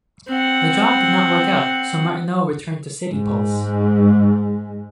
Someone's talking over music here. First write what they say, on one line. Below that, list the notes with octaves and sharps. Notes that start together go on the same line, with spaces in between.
The job did not work out, so Martineau returned to City"Pulse".
C4 F#5
G#2 G#3